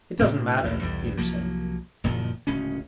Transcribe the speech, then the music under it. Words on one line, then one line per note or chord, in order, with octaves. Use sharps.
"It doesn't matter," Peter said.
D2 A2 A#3 C4
A1 D#2
B1 E2 G3
C2 F3 F#3 A#3
F#1 A#2 D#3 F3
D1 C#2 C#4